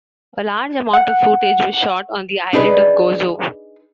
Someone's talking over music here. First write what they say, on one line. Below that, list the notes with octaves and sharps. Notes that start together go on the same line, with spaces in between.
A large amount of footage was shot on the island of Gozo.
F#5
D4 D#4 G#4 B4 D5